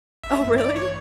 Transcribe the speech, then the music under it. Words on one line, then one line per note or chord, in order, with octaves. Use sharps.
Oh, really?
A1 E5
G2 E3 A3
A1 D5
E3 A3 C#5